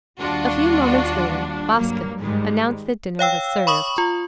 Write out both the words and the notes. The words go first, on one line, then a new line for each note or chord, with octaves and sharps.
A few moments later, Basque announced that dinner was served.
D#2 G3 D4 F4 F#4
G2 F#3 A#3
G#2 D#3 G3 G#3
C#5 F5 G5 E6
B5 C#6 D#6 F#7
F4